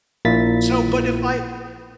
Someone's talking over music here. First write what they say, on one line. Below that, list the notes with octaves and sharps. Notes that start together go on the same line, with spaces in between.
So, but if I
A#1 A#2 A#3 E4 A6 B6